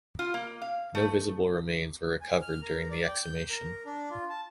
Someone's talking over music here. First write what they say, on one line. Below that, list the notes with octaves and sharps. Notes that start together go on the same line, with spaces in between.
No visible remains were recovered during the exhumation.
F4
A#3
F5
A3
G#5
F6
A#4
D5
G5
G6
A#4
D4
F4
A5